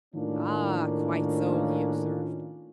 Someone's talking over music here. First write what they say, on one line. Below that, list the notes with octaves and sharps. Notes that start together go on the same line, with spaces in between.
"Ah, quite so!" he observed.
A2 D#3 A#3 C#4 D4 F4